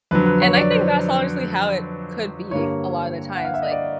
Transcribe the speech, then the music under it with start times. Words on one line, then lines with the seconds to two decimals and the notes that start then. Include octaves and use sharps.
and I think that's honestly how it could be a lotta the times, like,
0.11 F2 D3 F#3 B4
0.26 B4
0.42 C#5
0.56 D5
0.71 C5
2.51 G2 D3 G3 A#3 C#5
3.37 F#5
3.45 F5
3.54 E5
3.62 D#5
3.71 D5